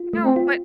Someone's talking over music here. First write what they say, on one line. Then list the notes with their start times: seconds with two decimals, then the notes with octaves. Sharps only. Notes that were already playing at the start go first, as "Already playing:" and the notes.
No, but
Already playing: F4
0.13 A3
0.25 C4
0.36 F4